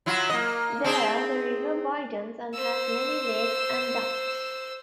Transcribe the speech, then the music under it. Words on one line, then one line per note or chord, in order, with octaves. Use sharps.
There, the river widens and has many lakes and ducts.
F#3 E4 F4
A#3 D#5
C4 D#4 G#4
C5 E6